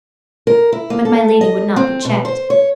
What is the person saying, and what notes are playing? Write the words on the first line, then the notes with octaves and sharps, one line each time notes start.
But my Lady would not be checked.
A#4
E4
A#3
A4
D#5
C4
B2
C5
C#5